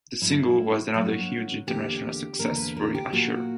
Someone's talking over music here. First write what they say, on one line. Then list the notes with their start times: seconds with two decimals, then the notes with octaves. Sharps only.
The single was another huge international success for Usher.
0.21 G2 F#3 A#3 E4
0.94 G2 F#3 A#3 F#4
1.67 E2 D3 A#3 G4
2.39 E2 D3 A#3 A#4
2.58 B4
2.77 A#4
2.95 G4
3.13 A#2 A#3 F#4